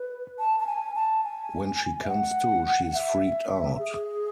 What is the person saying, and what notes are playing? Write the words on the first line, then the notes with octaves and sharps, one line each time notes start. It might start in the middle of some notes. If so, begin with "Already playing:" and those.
When she comes to, she is freaked out.
Already playing: B4
A5
A5
G#5
A5
G#5
E5
F#5
E5
G#4